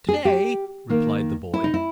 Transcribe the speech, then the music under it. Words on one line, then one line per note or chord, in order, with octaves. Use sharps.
"To-day!" replied the boy.
G#4
G4
D#3 A#3
E4
D#4
E4